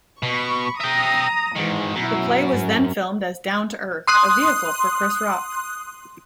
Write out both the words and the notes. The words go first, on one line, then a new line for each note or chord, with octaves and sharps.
The play was then filmed as "Down to Earth", a vehicle for Chris Rock.
B2 B5 C#6
E5 G5 A#5 D#6
G#2 D#3 E3 G#3
F#2 B2 E4
G#2
C6 D#6 F#6